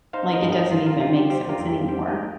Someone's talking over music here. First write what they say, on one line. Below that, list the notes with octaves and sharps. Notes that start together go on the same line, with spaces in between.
Like, it doesn't even make sense anymore."
D#4 C5 F5
A#4 D#5
G2
A#4 D#5
G2 F4 A#4
F4 A#4
D#4 F4
G4
G3 G4 C5
F4 A#4
F2
G4
G3 G4 C5
A#4 D#5